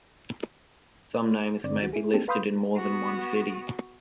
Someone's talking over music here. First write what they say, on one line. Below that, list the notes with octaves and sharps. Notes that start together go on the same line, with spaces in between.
Some names may be listed in more than one city.
G2 D3 C4 D5
C#2 D#3 F#4
E4 G#4
A#3 C4 D4 D#4 G4 A4
B4 F5 B5 C6 D#6 G6
B3 F#4